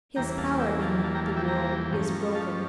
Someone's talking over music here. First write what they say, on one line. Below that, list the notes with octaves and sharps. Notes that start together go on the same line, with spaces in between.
His power in the world is broken.
E2 E3 G3 A#3 G5 A#5
F5 A5
E5 G5
F5 A5
F5 A5
G5 A#5
F5 A5
E5 G5
G5 A#5
G2 F3 A3 C#4
F5 A5